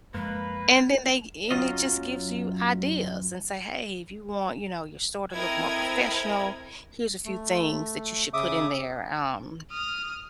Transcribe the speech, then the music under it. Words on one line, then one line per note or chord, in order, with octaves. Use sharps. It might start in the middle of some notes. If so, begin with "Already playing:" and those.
And then they and it just gives you ideas and say, "Hey, if you want, you know, your store to look more professional, here's a few things that you should put in there. Um,
F#2 F3 G#3 A#3 B4
F#2 F#3 C#4 F4 D#5
C4 E4 A4 A#4 D#5 G#6
A3
C#3 E5 D6 D#6
D#6 F6